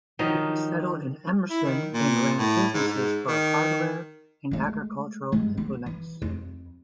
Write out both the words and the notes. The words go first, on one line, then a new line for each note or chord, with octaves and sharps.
He settled in Emerson, and ran businesses for hardware and agricultural implements.
D#3 F3 F#3 D#4
E4
D#3
A#2
A2
G#2
G#2
D#3
G#3 A3
G2 G#3
B3
E3
F2